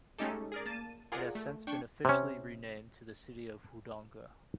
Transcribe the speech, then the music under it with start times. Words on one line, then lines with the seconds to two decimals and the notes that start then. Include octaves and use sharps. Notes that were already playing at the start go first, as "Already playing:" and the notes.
It has since been officially renamed to the City of Wodonga.
0.18 G#3 A3 C#4 D#4 G4 A4
0.52 G#4 A#4 D5
0.66 A#3 A5 A6 D#7 E7
1.12 F4 G#4 A#4 D5 F#5
1.35 A3
1.67 D4 G5 C#6
2.05 C3 C#4